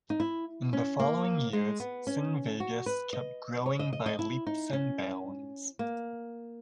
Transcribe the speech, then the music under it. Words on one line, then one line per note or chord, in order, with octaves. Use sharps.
In the following years, CineVegas kept growing by leaps and bounds.
D#4
E4
C#4
A#3
G#3
B3
C#4
F#4
B4
D#5
C#5
D#5
D#5
D#5
E4
D#4
C#4
A#3